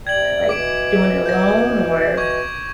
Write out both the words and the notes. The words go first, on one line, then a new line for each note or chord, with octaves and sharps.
like, doing it alone? Or
C3 D5 G5 G#6 F#7
B2 E3 D6 D7
G6 A#6
C#6 D6 G#6